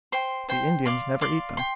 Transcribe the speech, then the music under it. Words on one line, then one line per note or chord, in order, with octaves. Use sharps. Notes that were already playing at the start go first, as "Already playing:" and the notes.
The Indians never eat them.
C5 G5 C6
C5 G5 C6
D5 F5 C6
D5 F5 C6
G5 C6